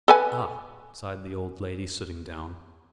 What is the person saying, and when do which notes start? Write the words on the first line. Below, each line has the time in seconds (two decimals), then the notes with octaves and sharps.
"Ah," sighed the old lady, sitting down.
0.08 A4 B4 G#5